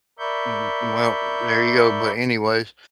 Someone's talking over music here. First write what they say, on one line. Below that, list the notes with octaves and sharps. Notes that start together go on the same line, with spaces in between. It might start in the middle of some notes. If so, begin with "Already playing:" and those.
Mm, mm, well, there you go, but anyways,
A#4 D5 E5 B5 C#6 G6